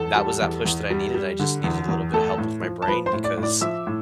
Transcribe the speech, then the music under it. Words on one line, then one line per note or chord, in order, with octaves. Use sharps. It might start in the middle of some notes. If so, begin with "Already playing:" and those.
that was that push that I needed, I just needed a little bit of help with my brain because
Already playing: E2 A4 A5
G3
E2
E2
G3
G3
D3
E2
E2
A3 A4 A5
A2
F3
A5
F3 B4 B5
C5 C6
A2
D5 D6
A2
D5 D6
F3 E5 E6
A2